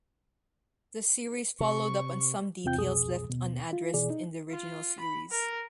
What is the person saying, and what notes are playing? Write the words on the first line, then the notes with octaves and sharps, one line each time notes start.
The series followed up on some details left unaddressed in the original series.
C3 C#6
E2 C3 C4 F4 G5 G6
C2 F2 B2 G#4 D#6
D#2 B2
F4
B2 E3 G#4 D5
D#4
F4
B5
A#4